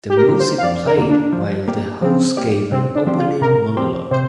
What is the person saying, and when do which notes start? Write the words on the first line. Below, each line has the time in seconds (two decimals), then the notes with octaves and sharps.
The music played while the host gave an opening monologue.
0.10 G4
0.17 A#4
0.29 D3 A#3
0.40 C5
0.58 F5
0.63 F2 D5
0.87 A#4
0.98 D3 A#3
1.10 D4
1.33 F3
1.68 A#3 G4 D5
2.02 F3 C4
2.37 A#3 G4 D5
2.72 C3 C4
2.95 D4
3.07 F3 C4 G4 C5
3.18 F4
3.41 C3 A#4
3.77 F3 C4 G4 C5
4.11 C3 C5